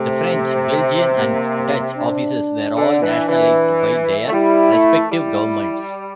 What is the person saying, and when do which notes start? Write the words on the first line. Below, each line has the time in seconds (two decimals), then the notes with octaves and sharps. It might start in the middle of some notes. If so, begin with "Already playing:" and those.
The French, Belgian and Dutch offices were all nationalised by their respective Governments.
Already playing: C3 A3
1.18 A#3
1.97 D4
2.76 D3
3.02 E3
3.28 E3
4.28 A3
4.33 G3 E4
4.72 A3
5.11 G3 E4